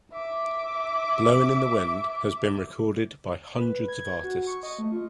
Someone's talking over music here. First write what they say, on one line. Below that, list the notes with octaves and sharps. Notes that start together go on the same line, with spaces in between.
"Blowin' in the Wind" has been recorded by hundreds of artists.
E5 D6
B4
G#6
F#4
C#6
D#5
A3
F4